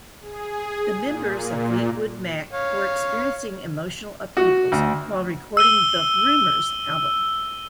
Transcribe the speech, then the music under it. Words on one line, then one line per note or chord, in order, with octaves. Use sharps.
The members of Fleetwood Mac were experiencing emotional upheavals while recording the "Rumours" album.
G#4
A#2
C#5 F5
F#4
D2
E6 D#7 G7